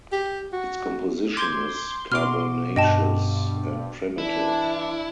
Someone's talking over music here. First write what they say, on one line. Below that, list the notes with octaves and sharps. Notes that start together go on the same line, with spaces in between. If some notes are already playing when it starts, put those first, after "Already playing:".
Its composition is carbonaceous and primitive.
G4
F#4
C6 D6 G6 G#6
B2 F#4 D6 F6
G2 D#5 G5 A5
E3 D4 E4